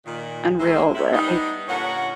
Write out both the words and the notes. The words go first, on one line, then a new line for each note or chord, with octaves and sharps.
unreal, where I
A#2 D#3
G#3 A#3 F#4 C5 E5
A2 E4
G3 B3 D4 D#4
A#2 D3 C#4 A#4 C#5 F#5